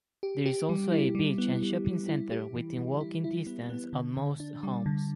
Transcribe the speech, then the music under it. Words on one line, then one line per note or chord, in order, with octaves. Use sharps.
There is also a beach and shopping centre within walking distance of most homes.
G4
G4
G3
E4
G3
B3
G3
G3
E4
G4
E3
E3
E4
E4
B3
B3
D3
D3
D4
G3
D3